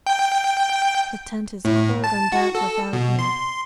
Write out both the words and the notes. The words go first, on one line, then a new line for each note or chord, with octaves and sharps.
The tent is cold and dark without you....
G5
A2
A5
F#4
A4
B2
C6